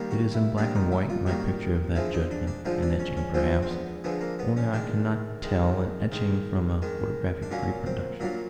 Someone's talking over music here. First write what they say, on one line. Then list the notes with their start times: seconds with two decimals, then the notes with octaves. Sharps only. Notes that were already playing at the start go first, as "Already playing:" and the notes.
It is in black and white, my picture of that judgement, an etching, perhaps; only I cannot tell an etching from a photographic reproduction.
Already playing: D#3 G3 A#3
0.11 F#4
0.34 E4
0.57 D#3 G3 A#3 D4
0.75 D#4
0.92 E4
1.10 F4
1.26 D#3 G3 A#3 F#4
1.95 D3 F3 G#3 E4
2.14 D#4
2.31 D4
2.47 D4
2.65 D3 F3 G#3 D#4
2.83 D4
2.99 C#4
3.17 C#4
3.34 D3 F3 G#3 C4
3.62 C4
3.70 B3
4.04 D3 F3 G#3 B3
4.21 A#3
4.39 B3
4.57 C#4
4.73 D#3 G#3 D4
5.42 D#3 G#3
6.12 D#3 G#3
6.82 D#3 G#3
7.42 D4
7.51 A#2 F#3 A#3 C#4
7.86 C4
8.20 A#2 F#3 A#3 D4